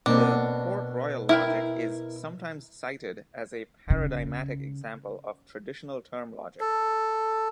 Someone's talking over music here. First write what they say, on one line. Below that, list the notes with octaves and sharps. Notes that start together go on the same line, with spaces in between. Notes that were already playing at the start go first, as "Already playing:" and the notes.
The "Port-Royal Logic" is sometimes cited as a paradigmatic example of traditional term logic.
B2 A#3 C4 D4
E4 A#4 G5
C#3
A4